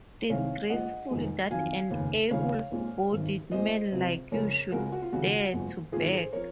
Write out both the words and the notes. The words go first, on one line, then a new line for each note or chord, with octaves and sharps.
Disgraceful that an able-bodied man like you should dare to beg.
C2 C3 D#3 G#3 C#5 F5
A#1 A#2 G#3 D#5 F#5
F1 F2 D#3 G#3
F2 D#3 F#3 F5 G#5
F1 D#2 C#3
D#2 C#3 F3 G#3 C#5 F5
A#1 A#2 G#3
G#1 F#2 D#3
A#1 A#2 G#3 C5 D#5
C#2 C3 F#3
F2 C#3 G#3 A#4 C#5
C#2 C#3 G#3 F#4 A#4
F#4
F4
D#2 C#3 F3 G#3 F#4
F#1 F#2 F3 G#3
A#1 G#2 D#3 F4 G#4
G#4 C5
F3 A#4 C#5